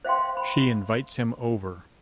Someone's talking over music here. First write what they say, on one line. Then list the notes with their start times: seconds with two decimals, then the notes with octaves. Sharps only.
She invites him over.
0.05 C5 E5 F5 G5 C6
0.37 B5